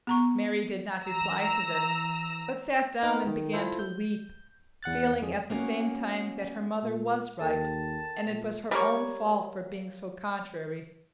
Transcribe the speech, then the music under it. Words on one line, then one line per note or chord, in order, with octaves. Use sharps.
Mary did not reply to this, but sat down and began to weep, feeling at the same time that her mother was right and it was her own fault for being so contrary.
B3 A#5 C#6
E3 A#5 E6
B3 D#4 A#4 B4 D#5
D#3
E4 F4 A4 C5
G6
E2 F#5 F#6 A6
F2 G#4
A#3 B3 C#4 F#4
A#2
D#2 A4 A#4 G5 A5
A#2
G3 A#3 C#5